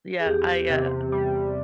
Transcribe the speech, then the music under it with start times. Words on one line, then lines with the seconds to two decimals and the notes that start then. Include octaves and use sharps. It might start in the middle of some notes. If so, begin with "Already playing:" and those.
Yeah. I, uh,
0.19 G#4
0.26 E2 G4
0.70 C3
1.12 G3